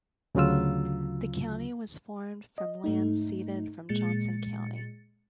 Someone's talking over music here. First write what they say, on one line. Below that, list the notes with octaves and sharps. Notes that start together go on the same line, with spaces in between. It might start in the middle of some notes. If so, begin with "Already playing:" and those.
The county was formed from land ceded from Johnson County.
D2 C#3 F#3 F4 E6
D#5
G#2 A3 D#4
A#2 G#3 A6 C#7